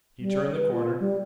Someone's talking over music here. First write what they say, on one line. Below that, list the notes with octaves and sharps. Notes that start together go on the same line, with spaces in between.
He turned the corner.
G3
B4
F4
G3